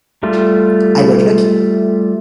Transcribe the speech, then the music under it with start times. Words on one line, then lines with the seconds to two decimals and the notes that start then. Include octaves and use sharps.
I got lucky.
0.23 G3 A3 F4